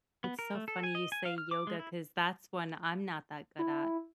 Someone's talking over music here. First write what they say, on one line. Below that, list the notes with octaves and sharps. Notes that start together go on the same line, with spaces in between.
It's so funny you say yoga, 'cause that's one I'm not that good at.
B3
A#4
A3
A4
G#5
D#5
G#5
F5
F6
D6
G#3
E4
E4